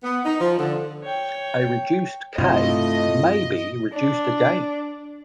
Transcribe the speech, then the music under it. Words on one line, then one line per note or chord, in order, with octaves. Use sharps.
A reduced "K" may be reduced again.
B3
D#4
F3
D3
C#5 G5
G2 C3 F#3 A3 C4 E4 F4 D#5
D4